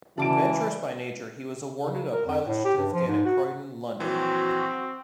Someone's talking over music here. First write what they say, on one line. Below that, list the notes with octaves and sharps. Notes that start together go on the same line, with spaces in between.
Adventurous by nature he was awarded a pilot certificate at Croydon, London.
C#3 E3 F#4 D5 A5 D6 D7
C#3
A#4
F2
A2
G4
G2
F3
G#2
F#4
A#1 E3 F#3 C4 F#4